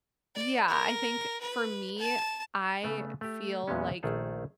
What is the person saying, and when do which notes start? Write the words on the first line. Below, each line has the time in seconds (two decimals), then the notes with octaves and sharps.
Yeah, I think for me, I feel like
0.35 D5
0.68 A#4
1.41 B4
1.98 A5
2.83 C#3 A3 B3
3.21 A3 G4
3.68 E2 A#2 E3 G#3 B3 C#4
4.03 A#1 D#3 A3 G#4 A4